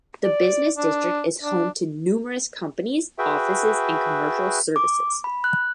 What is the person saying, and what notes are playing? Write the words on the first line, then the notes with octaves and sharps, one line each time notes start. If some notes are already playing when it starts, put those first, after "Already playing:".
The business district is home to numerous companies, offices, and commercial services.
D5
D4
D4
F#4 G#4 B4 E5 G5
D6
B5
F#6